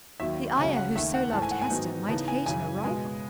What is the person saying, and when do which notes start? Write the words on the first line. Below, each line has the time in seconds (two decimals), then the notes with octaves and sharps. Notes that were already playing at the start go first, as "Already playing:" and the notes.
The Ayah who so loved Hester might hate her rival.
0.20 D#2 D#3 F#3 E5
0.57 C#2 C#3 F#3 C#4 G#5
0.76 F#5
0.95 D#2 D#3 A3 E5
1.14 F#5
1.33 G#2 E3 A3 A5
1.42 G#5
1.51 F#5
1.61 G#5
1.70 G#2 D#3 F#3 B3 D#4
2.08 C#3 E3 B3 D#4 A5
2.28 G#5
2.46 F#2 C#3 E3 G#5
2.84 B2 G#3 B3 G#5